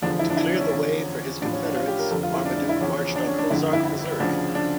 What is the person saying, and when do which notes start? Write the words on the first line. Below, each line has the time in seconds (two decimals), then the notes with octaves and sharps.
To clear the way for his Confederates, Marmaduke marched on Ozark, Missouri.
0.02 F1 E2 D3 F3 D4
0.19 E4
0.30 D4
0.37 E4
0.49 D4
0.60 C#4
0.71 E2 D3 F3
1.41 A1 A2 F3 D4
1.53 C#4
1.64 D4
1.76 F4
1.88 G4
1.99 A#4
2.11 F1 F2 D3 A4
2.23 F4
2.34 E4
2.45 D4
2.57 D4
2.69 E4
2.81 E2 C#3 F3 C#4
3.16 D4
3.27 C#4
3.38 D4
3.50 G1 F2 D3 F3 E4
3.73 E4
3.85 E4
4.20 D2 C#3 F3 D4
4.55 D4